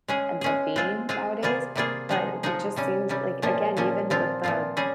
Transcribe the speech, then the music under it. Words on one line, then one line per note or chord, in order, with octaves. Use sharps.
ends up being nowadays, but it it just seems like again, even with the
G#3 C#4 G#4
G#3 C#4 G#4
G#3 C4 F4 G#4
G#3 C4 F4 G#4
C3 G3 A#3 F4 G#4
C3 G3 A#3 F4 G#4
F3 G#3 D#4 G#4
F3 G#3 D#4 G#4
C3 G3 C#4
C3 G3 C#4
A#2 F3 A#3 C#4
A#2 F3 A#3 C#4
A#2 F3 C4 F4
A#2 F3 C4 F4
G3 C#4 G#4